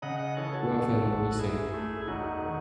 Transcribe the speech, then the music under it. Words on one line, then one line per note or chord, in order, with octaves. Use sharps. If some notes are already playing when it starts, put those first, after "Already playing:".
"Poor fellow," he said.
C#3 D#5 F#5
D#5 F#5
E3 A4 C#5
F#4 A4
G#1
G#2
F#2 E4 G#4
A3
E1 D#4 F#4
D#3